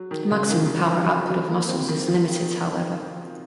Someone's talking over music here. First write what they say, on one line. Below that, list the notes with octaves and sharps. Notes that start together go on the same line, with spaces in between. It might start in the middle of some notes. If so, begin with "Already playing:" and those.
The maximum power output of muscles is limited, however.
Already playing: F#3
D#3
C#3
D#3
D#3
F3
F#3
F#3
A#3
C4
D#3
F3